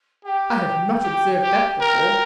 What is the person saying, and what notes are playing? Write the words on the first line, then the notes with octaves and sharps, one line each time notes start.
I have not observed that before.
G4 G5
G4
G4
A#4